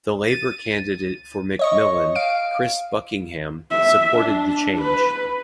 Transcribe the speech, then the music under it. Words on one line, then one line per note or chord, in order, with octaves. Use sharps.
The Labor candidate for McMillan, Chris Buckingham, supported the change.
A6 D#7
C#5 D#5 C#6
F5 D7
E5
D4
B4